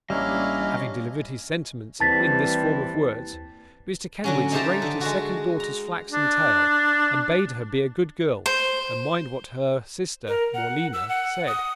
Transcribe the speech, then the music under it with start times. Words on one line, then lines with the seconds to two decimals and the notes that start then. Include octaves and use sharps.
Having delivered his sentiments in this form of words, Mr Kenwigs arranged his second daughter's flaxen tail, and bade her be a good girl and mind what her sister, Morleena, said.
0.10 A1 G3 A#3 C#4 D4 E4 D#5 F5
2.00 D#2 E3 G3 C4 A5 A6 B6
4.24 D3 F#3 C#4
4.52 D#4 G4 C5 E5 A5 A#5
4.82 D3
5.01 G#3 F#4
5.60 A#5
6.11 D4
8.46 C5
10.28 A#4
10.54 F#5
10.93 E6
11.09 F#5
11.47 D#6